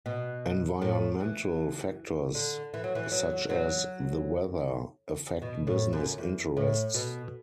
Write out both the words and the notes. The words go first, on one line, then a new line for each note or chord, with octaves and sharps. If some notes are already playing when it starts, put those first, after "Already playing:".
Environmental factors, such as the weather, affect business interests.
B2
A2
E3
D3
E3
F#3
E3
F#3
F#3
B2
A2
F#2
E2
A2
B2